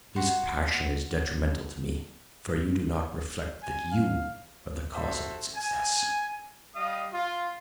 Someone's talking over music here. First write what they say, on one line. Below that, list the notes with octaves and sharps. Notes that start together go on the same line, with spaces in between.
This passion is detrimental to me, for you do not reflect that YOU are the cause of its excess.
F#4 F#5 C6
G#5
F5
F#4 A4 C5 E5
G#5
G3 D#5 F5 D#6
F4